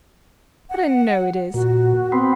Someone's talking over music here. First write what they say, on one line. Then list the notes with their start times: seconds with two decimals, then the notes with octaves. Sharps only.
But I know it is.
0.70 F#5
1.54 A#2 F#4
2.12 B3 C4